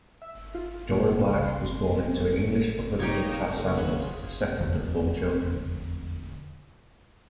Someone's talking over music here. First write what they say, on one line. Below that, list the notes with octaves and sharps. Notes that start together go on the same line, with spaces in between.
Dora Black was born into an English upper-middle-class family, the second of four children.
E5
F4
A#2
C#2
C6
B2
A#3 D#4 G4 A#4 C#5 A#5
D#2 A2 C#3
B1 C#3 B4 C#5 F#5 C6
F4 G#4
E1 F2 D3 A3